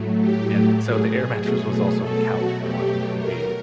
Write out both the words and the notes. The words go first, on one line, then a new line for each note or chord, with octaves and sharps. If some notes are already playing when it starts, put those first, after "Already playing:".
and so the air mattress was also the couch for watching TV.
Already playing: A2 F#3 A3
G4
G#4
G#4
B2 F#3 A3 G#4
G#4
A4
F#4
G4
A#4